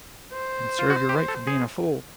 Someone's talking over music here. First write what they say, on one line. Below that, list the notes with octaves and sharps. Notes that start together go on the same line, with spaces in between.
And serve yer right for being a fool.'
C5
F4
F#4
G4
A4
G#4